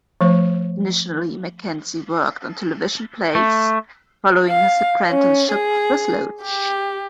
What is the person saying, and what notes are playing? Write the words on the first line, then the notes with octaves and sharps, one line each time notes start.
Initially, Mackenzie worked on television plays, following his apprenticeship with Loach.
F3 A3 C5
A3
F5
C#4
G#4
G4